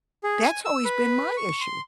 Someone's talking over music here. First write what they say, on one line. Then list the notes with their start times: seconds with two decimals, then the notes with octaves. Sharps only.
that's always been my issue.
0.24 G#4
0.42 G#5
0.65 E6
0.85 B4
1.37 C#6
1.61 C6